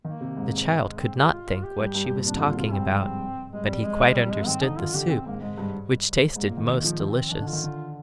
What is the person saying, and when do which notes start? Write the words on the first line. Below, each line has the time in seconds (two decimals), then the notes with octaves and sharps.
The child could not think what she was talking about, but he quite understood the soup, which tasted most delicious.
0.05 D#3 A#3
0.21 C3
0.37 G#2
0.68 G#3
0.99 C4
1.16 G4
1.32 F4
1.63 G4
1.79 G2
1.95 G2
2.05 G2
2.16 A#2
2.25 C3 D4
2.36 D3
2.41 F4
2.47 A#2
2.58 C3 F4
2.68 G2
2.73 G#2 C4
2.89 F2
3.52 G2 G#3
3.68 F2 G3
3.84 G#3
4.15 F2 G3
4.27 G2
4.31 G#3
4.37 G#2
4.47 D#3 C4
4.62 D3 D#4
4.78 D#3 F4
4.94 D3 G4
5.10 C3 C4
5.26 G#2 A#3
5.41 G#2 G#3
5.58 G2
6.36 G#2 A#3
6.47 A#2
6.57 D#3
6.68 D#3
6.84 F3
7.00 D#3 C4
7.31 D#3 D4
7.41 D3
7.47 F4
7.53 D#3
7.63 D3